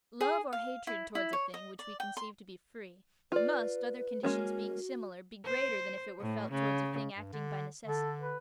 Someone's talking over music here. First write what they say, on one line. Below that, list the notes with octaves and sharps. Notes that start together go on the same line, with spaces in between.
Love or hatred towards a thing, which we conceive to be free, must, other conditions being similar, be greater than if it were felt towards a thing acting by necessity.
G#4
F5
E4
E4
C#5
D#5
D5
G5
C6
F4 B4 D5
G#3 A#3 C#4 F#4
C5
A2
C#3
G2
D3
D3 A4
B4